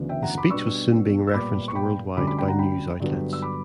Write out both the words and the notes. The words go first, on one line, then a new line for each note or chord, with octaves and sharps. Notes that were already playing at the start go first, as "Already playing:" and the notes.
The speech was soon being referenced worldwide by news outlets.
Already playing: D2 C#3 E3 B3 D4
E5 G5
F#5 A#5
B5 D6
B2 G3 B3 D4 C#6 E6
E6
A#2 G3 B3 B5 D6
C#6
G5 B5
D2 D3 G3 C#4 B5 D6
B5 D6
G5 B5
F#5 A#5
G5 B5
G2 D3 F#3 B3
E6
B5 D6